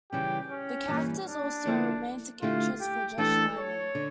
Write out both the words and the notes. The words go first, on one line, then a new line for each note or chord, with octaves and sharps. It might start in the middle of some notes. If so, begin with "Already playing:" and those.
The character is also a romantic interest for Josh Lyman.
C#3 E3 G3 C#4 G4
C#4
G2 E3 G3 A#3
D4
D3 F3 A#3 E4 A4
D3 A3 E4 F4 G4
G4
E3 A3 D4 A4
C#5
D3